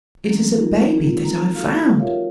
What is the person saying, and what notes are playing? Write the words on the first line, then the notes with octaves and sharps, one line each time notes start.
"It is a baby that I found."
D#3 E3 F#3 A#3 C4 C#4
D#4 F4 G4 G#4 A#4
G#3 A#3 C4 D#4 F4 G#4
A#5
F#4 A4 F5 F6
F4 G4 A#4 C#5 E5 F5